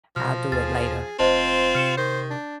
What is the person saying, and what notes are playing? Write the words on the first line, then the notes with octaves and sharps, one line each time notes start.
I'll do it later."
B2 F3 F6 A#6
D#2 G#4 F6 A6
F1 C4 F4 C5 D#5 A5
C3 F6 C#7 E7
D#3 C5 G6
D4